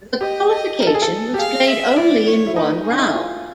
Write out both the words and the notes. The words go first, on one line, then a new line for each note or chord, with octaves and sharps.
The qualification was played only in one round.
G4 D#5
D#5
A#4
A4
G#4
A4
G4
G#4 F5
E5
E4 D5
C#5
E4
D#4 B4
G#4
D4
D#4
E4
F4